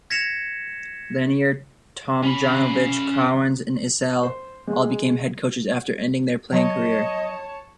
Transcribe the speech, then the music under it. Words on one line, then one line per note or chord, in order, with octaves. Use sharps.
Lanier, Tomjanovich, Cowens and Issel all became head coaches after ending their playing career.
G#6 A#6 B6 C#7 E7 F7
C#4 B5
C5
G#3
F#3 C#5 D#5 A5